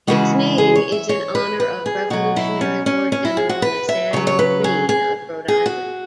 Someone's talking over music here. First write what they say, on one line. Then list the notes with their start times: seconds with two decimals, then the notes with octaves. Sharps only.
Its name is in honor of Revolutionary War General Nathanael Greene of Rhode Island.
0.07 C#3 E3 G#3 F#4
0.58 G#4
0.75 C#5
0.92 E5
1.09 C#5
1.35 B4
1.60 B4
1.86 G#4
2.10 B2 F#3 F#4
2.36 E4
2.61 C#4
2.86 C#4
3.12 C#4
3.25 E4
3.37 G#4
3.49 F#4
3.62 B4
3.89 E5
4.13 C#3 F#3 C#5
4.27 C#5
4.39 B4
4.64 G#4
4.89 G#4
5.48 G#4
5.66 F#4